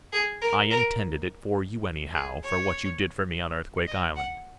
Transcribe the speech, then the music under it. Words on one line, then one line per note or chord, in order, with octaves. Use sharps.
I intended it for you, anyhow, for what you did for me on Earthquake Island.
G#4
A#4
A#4
G#4
C#5
D#5
F#5